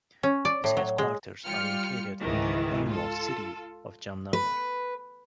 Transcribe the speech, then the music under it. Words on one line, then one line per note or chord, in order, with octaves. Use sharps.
Its headquarters are located in the eponymous city of Jamnagar.
C#4
D5
A2
F#3
G#3
G3 F4 G5 F6 C#7
C#2 G#2 D#3 E3
F4 A4
B4